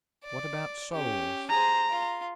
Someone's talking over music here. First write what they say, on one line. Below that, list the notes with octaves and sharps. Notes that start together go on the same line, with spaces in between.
"What about souls?"
D5
C#4 G4
G#4 C5 A#5
F4